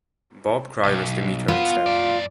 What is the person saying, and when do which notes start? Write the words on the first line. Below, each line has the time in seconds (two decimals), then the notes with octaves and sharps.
Bob Cryer is to meet her instead.
0.83 B1
1.48 B3 F4 F#4
1.86 F#2 D5